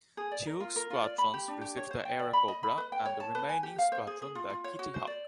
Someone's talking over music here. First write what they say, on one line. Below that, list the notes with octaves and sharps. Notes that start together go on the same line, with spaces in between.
Two squadrons received the Airacobra and the remaining squadron the Kittyhawk.
G#4
D5
A#4
F4
A#4
F4
D5
B5
G4
D4
G4
C#5
C5
G5
D5
B5
D#5
B5
B4
G5
C#5
A5
B4
G#5
G4
F5
C5
G#4
G#4
F4
F4
C#5
F#4
C5
D5